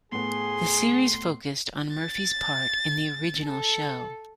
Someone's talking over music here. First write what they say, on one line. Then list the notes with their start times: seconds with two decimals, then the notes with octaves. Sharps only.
The series focused on Murphy's part in the original show.
0.12 A2 B3 G#4 C6
1.96 A6
3.44 A4